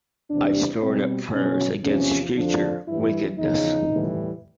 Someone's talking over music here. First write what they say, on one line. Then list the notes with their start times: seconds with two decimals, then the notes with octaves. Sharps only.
I stored up prayers against future wickedness.
0.30 E2 C3 E3 G3 D4
0.82 B2 G3 C4
1.33 B2 F#3 C#4
1.84 E2 C3 F3 C#4
2.36 F2 D3 F3 D4
2.87 G2 E3 G3 E4
3.38 E2 C#3 F3 D#4
3.90 A2 E3 G3